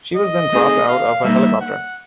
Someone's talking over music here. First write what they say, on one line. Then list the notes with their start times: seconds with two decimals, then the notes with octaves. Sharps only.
She was then dropped out of a helicopter.
0.16 D#5
0.52 A3 C4 D#4 G#4
0.88 F5
1.24 G3 A#3 D#4 E5
1.61 F#5